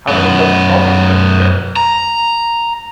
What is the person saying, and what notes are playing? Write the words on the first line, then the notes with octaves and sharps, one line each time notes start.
How many cups of coffee should I prepare?
F#2 B3
A#5